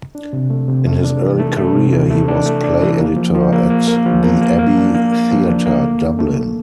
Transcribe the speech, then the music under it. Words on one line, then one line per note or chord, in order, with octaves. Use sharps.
In his early career he was play editor at the Abbey Theatre, Dublin.
D4
C3
A3
C3
A3
D4
E3
A3
A3
C3
E3
A3
D4
A3
D4
E3
A#3
F3
F3
A#3
A#3
A#3
F3
A#3
A#3
A#3
D4
A#3
A#3
F3
D4
A#3
A3
D3
A3
A3